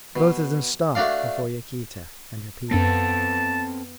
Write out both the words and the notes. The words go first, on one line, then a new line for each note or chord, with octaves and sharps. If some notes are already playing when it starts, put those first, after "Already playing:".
Both of them stopped before Yaquita and her people.
B2
A3 D4 F#4 D5 F5
F#2 B3 C4 A4 A5 A6